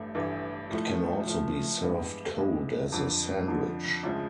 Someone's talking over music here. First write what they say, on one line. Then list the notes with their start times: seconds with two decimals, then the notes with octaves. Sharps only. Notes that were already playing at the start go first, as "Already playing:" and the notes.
It can also be served cold as a sandwich.
Already playing: A1 G2 A3
0.15 A1 G2 E3 A3
0.71 A2 F3 A3
1.26 A2 F3 A3
1.82 G2 E3 G#3 B3
2.36 G2 E3 G#3 B3
2.92 F2 D3 F3
3.48 F2 D3 F3
4.03 D2 C#3 F3 G#3